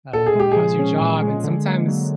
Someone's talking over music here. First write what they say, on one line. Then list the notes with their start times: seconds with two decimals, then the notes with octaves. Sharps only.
uh, "How's your job?" and sometimes,
0.13 A#2 A4
0.27 G#4
0.35 G#3 G4
0.52 F3 G#4
0.79 C#4
1.01 A#2
1.23 G#3
1.44 D3
1.66 A#3
1.88 F#3